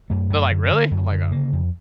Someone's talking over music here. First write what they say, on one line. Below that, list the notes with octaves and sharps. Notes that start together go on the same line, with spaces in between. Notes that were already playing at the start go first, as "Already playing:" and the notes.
They're like, "Really?" I'm like, "Okay.
F#2 A3
F#2
D3
D3
F#2
D3
C#3 A#3
F2